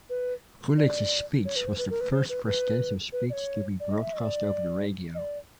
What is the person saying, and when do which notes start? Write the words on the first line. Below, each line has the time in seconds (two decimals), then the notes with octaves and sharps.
Coolidge's speech was the first presidential speech to be broadcast over the radio.
0.10 B4
0.78 D5
1.45 C#5
1.56 B4
1.67 C5
1.78 B4
1.90 A#4
2.01 B4
2.12 C5
2.29 B4
2.46 B4
3.12 B4
3.30 D5
3.33 C#5
3.80 D5
3.91 D#5
4.02 E5
4.13 D#5
4.18 D5
5.15 D#5
5.18 D5